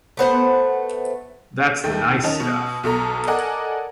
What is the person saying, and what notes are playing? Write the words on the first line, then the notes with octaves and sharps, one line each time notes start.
That's the nice stuff.
A3 B3 C5 F#5
D#2 D#3 A3 G5
D#3 C#4 D#5 A5
B2
B1 B2 A4 A#5
A4 A#4 D5 D#5 F#5 G#5